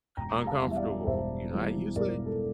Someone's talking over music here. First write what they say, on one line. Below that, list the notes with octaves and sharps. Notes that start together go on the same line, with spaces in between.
uncomfortable. You know, I usually
E1 G5 A#5
A#5
F5 A5
E2 E3 G3
E5
D5 F5
E1 C5 E5
E2 E3 G3
E1 A#4 D5
A4